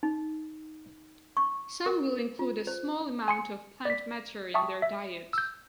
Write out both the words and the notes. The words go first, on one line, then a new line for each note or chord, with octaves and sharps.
Some will include a small amount of plant matter in their diet.
D#4
C#6
A#4
F4
C5
G#5 C6 C#7
D5 B6
E5 G5 A5 C#6 D#6
E5
E6 G6